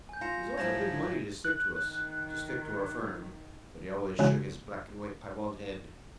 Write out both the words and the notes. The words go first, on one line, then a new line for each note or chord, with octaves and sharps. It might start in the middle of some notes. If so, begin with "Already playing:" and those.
He was offered good money to stick to us--to stick to our firm--but he always shook his black-and-white piebald head.
G#5 G6
F4 A#5 A#6 C#7 E7
G#2 F3 F#3 E4 G#6 A#6 E7
F#6
D#3
C#3 E3 G#3 F#4